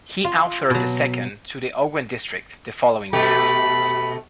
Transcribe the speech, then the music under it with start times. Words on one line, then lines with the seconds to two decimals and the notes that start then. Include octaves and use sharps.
He authored the second, to the Ogwen District, the following year.
0.24 F4
0.70 B2 F#3
3.13 B2 A3 G4 B5